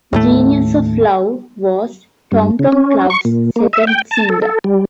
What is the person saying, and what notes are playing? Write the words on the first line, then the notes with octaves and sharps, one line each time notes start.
"Genius of Love" was Tom Tom Club's second single.
D#2 A2 A3
G2
C#3
C#4
C#6
A#2
A#3
E5
G5
A5
A4
A4
G3